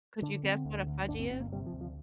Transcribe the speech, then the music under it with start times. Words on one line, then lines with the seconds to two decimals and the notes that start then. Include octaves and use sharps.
Could you guess what a "fudgy"
0.22 D3 D4
0.43 D3 C4
0.65 D2
0.87 D2
1.09 G1 D4
1.20 C4
1.30 G1 C4
1.40 A#3
1.52 C3 G3
1.66 F3
1.73 D2
1.81 F3